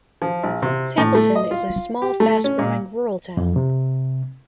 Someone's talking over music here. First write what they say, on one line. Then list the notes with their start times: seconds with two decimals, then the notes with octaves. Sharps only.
Templeton, is a small, fast growing, rural town.
0.22 F3
0.44 A#1
0.62 C3
0.98 A2
1.15 A3
1.36 D#5
1.51 F4
2.02 G4
2.20 A3
2.44 C#4
2.59 A#2
3.37 F2
3.56 C3